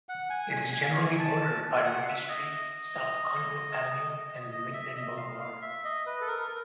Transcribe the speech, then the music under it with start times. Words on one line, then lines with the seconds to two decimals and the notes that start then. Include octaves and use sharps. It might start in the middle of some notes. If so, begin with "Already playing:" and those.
It is generally bordered by Ruby Street, South Conduit Avenue, and Linden Boulevard.
0.09 F#5
0.30 G#5
0.53 G#5
0.74 G#5
1.19 A5
1.85 F#5
2.02 F5
2.08 E5
2.29 D#5
4.29 D#5
4.52 D#5
4.73 E5
4.96 D#5
5.17 F5
5.39 F5
5.62 E5
5.85 D#5
6.06 B4
6.21 A4
6.28 A#4